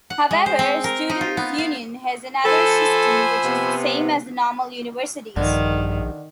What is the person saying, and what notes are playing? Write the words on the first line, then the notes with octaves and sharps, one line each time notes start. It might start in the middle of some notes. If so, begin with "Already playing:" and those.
However, students' union has another system which is the same as the normal universities.
F#5
G#3
C5
C4
A#4
D#4
F4
B3
F5
F3 A4 C5 G#5 B5 E6
C3 B3
A#1 G2 D3 D#3